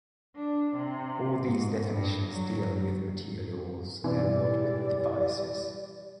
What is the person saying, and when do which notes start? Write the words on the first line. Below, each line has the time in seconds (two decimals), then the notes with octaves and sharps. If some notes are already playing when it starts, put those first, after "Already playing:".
All these definitions deal with materials and not with devices.
0.36 D4
0.76 C3
1.44 G#2
1.85 G2
2.27 F#3
4.04 B2 E3 G3 D5